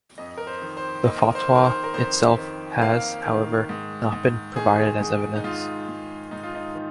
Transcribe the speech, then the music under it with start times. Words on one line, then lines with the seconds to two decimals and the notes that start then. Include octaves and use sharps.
The fatwa itself has, however, not been provided as evidence.
0.18 F2 D#5
0.38 A#4
0.47 C5
0.62 D#3
0.77 C5
1.05 A#3 D#5
1.23 A#4
1.35 C5
1.49 D#3
1.55 A#4
1.64 C5
1.84 A#4
1.94 F2 C5
2.38 D#3
2.82 A#3 F5
3.25 D#3
3.69 G#2
4.12 G#2
4.56 D#3 G#4
5.00 G#2
5.36 D#4
5.44 G#2 F4
5.88 G#2
6.31 G#2 D#4
6.43 F4
6.55 D#4
6.75 D#3